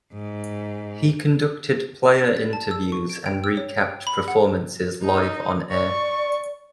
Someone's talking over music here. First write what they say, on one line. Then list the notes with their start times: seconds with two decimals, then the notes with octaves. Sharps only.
He conducted player interviews and recapped performances live on-air.
0.13 G#2
2.25 D5
2.37 A6
2.53 A5
2.71 E6
2.92 C#6
3.09 D7
3.26 G5
3.44 E6
3.57 C#5
3.81 G5
4.07 B5
4.28 F#5
5.03 D#4
5.72 D5 C#6